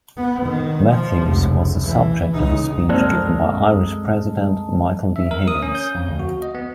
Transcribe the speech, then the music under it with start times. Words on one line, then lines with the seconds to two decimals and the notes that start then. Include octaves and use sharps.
Matthews, was the subject of a speech given by Irish President Michael D. Higgins.
0.17 B3
0.46 D#3
0.90 F3
1.23 F1 C#2
1.83 E3
2.34 C#2 D#4
2.89 C2 F#2 G#3 A#3 C4 A4 A#4 D5
5.16 E5
5.31 A#4
5.48 D#6
5.62 C#4
5.75 G6
5.95 F2
6.08 D2
6.20 F#4
6.42 D#5
6.55 B3